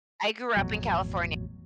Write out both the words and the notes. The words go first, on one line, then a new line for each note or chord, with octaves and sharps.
I grew up in California.
A1 F2 B2 F#3